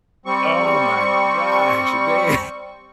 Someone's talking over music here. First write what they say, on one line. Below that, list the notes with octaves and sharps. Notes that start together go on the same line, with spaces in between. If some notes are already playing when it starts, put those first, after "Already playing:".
Oh my gosh, man,
G3 C4 C#6